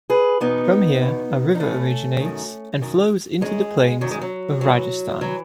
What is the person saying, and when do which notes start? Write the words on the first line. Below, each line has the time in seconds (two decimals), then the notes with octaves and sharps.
From here a river originates and flows down into the plains of Rajasthan.
0.10 G#4 B4
0.40 E2 B2 B3 D#4
1.01 E2 B2
1.55 D#4
1.60 E2 B2 A3 C#4
2.20 F#2 D#3
2.81 F#2 D#3
3.41 F#2 D#3 G#3
4.01 F#2 D#3 F#3
4.11 G#3
4.21 F#3
4.61 G#2 E3 F#3
5.21 E3 F#3